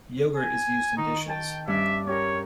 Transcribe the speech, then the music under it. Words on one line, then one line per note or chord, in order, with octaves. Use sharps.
Yoghurt is used in dishes.
G#5
D#3 D#4 C#6
G5 A5
G2 C#4 D5 E5
C#4 G4 A#4 C#5